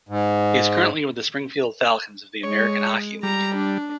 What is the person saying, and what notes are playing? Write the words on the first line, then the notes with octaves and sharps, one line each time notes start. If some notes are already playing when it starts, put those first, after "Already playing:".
He is currently with the Springfield Falcons of the American Hockey League.
G#2
G#3 C#5
G3 A#5
D4